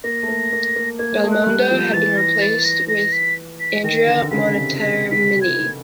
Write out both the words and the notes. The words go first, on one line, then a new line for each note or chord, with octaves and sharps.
Belmondo had been replaced with Andrea Montermini.
A#3 A#6
A3
A#3
A#3
A#3
A#3 G#6
G#3
A3
F#6
G3
G6
F3
E3 A6
A#6
A6
A#6
A#6
B6
B6
D#3 A#6
D3
D3
C#3 B6
C3
B6
B6
G#6